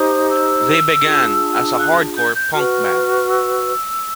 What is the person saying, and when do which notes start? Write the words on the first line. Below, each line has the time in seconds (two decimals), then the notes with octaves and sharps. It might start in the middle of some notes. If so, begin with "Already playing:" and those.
They began as a hardcore punk band.
Already playing: D#4 G4 C5 D#6
0.29 E6
1.04 D4 F4 G#4
1.79 F#6
2.16 G6
2.34 G6
2.53 F#4 B4 F6
3.28 E6